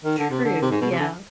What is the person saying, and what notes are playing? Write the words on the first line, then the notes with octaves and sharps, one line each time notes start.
True, yeah.
D#3
D3
C3
D3
C3
G#2
B2
C3
D3